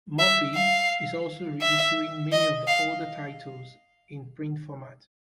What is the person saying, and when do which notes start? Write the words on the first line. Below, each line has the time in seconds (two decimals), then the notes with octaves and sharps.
Murphy is also reissuing many of the older titles in print format.
0.19 E5
0.55 F5
1.62 E5
2.32 D#5
2.67 F5